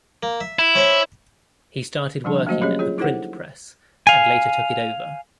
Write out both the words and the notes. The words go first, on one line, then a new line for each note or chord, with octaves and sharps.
He started working at the print press and later took it over.
A#3
E5
E4
C#4 C5 C#5
D3 F3 G3 D4 A5
F#3 A3 A#3 F#4 C5 D#5
F#3 C#4 G4 G#4 C#5 D#5
F4 G#4 C#5
D#4 E4 G4 A4 C5 F#5
F5 G#5